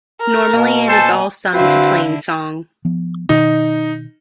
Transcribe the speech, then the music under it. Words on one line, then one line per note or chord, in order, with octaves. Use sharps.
Normally it is all sung to plainsong.
A#4
B2 A#3 F5
A4 C5 G#5 A5
D3 C4 E4 F#4 B4 C5 F5
F3 B3
B2 D#3 D#4